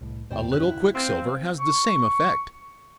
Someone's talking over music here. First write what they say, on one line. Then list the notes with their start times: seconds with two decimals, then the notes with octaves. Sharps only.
A little quicksilver has the same effect.
0.01 C2 A2
0.30 D#2 G#2 B2 C5 D5 G5
0.52 F#2 C#4 G4 F#6
0.66 D2 E4
0.95 C4 F5 C6
1.08 F3
1.60 C#6